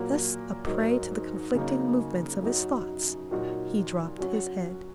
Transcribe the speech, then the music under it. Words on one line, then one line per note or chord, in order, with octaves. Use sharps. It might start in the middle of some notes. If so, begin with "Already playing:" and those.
Thus a prey to the conflicting movements of his thoughts, he dropped his head.
Already playing: A#2 F#3 A#3 F#4 A#4
G#2 F#3 D#4 A#4
C#3 F#3 A#3 D#4
F#2 F#3 D#4 F#4
A#2 F#3 D#4 F#4
F#3 C#4 F#4